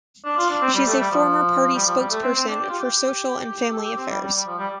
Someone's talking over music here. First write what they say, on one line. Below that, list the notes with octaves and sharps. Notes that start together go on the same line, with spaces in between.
She is a former party spokesperson for Social and Family Affairs.
D4
F4
D4
C4
G3
A3
G3
F3
G3
F3
G3
A3
C4
C4
D4
G4
F4
G4
A4
G4
C4
G3
G3
G3
F3
G3